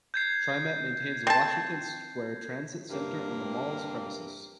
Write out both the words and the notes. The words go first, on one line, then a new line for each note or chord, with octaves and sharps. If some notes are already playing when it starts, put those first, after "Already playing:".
TriMet maintains the Washington Square Transit Center on the mall's premises.
G6 G#6 C7
C4 A5
G2 C3 A#3